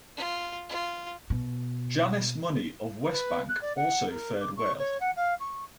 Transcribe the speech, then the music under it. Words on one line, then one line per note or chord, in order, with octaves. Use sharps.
Janice Money of Westbank also fared well.
F4
F4
B2
B4
F#6
D5
F#5
A#4
D6
C#6
C#5
F#5
F5
C#6